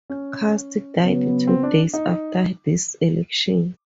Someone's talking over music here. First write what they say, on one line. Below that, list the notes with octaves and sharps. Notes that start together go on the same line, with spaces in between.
Cust died two days after this election.
C#4
C#3 F#3 B3
C4
D4
D#4